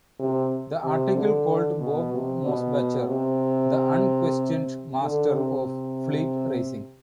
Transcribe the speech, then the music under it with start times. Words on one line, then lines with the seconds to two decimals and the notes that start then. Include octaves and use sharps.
The article called Bob Mosbacher "the unquestioned master of fleet racing".
0.19 C3
0.83 C3
1.16 D3
1.79 B2
2.13 C3
2.44 B2
3.08 C3
5.01 D3
5.33 C3